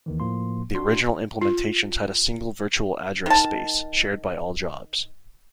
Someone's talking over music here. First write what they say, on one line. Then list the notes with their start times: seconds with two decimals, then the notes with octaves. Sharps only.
The original implementations had a single virtual address space, shared by all jobs.
0.06 D#2 D#3 E3
0.20 A2 F3 A#3 C6
0.75 D4 F#4 C6
1.42 F4
3.26 D#3 A5